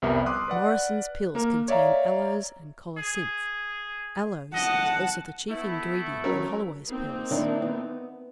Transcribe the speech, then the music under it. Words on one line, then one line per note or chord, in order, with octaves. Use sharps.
Morrison's pills contain aloes and colocynth; aloes is also the chief ingredient in Holloway's pills.
C2 F2 G3 B3 A#4 E5
C6 D6 D#6 F6 F#6
B4 D5 F#5
A#3 A#4
C#5 D5 E5 F5 A#5
G#4
D#5 F#5 A5
A3 B3 E4
F#3 C#4 A#4
A#3 C4 D#4
D#3 D4 E4
B3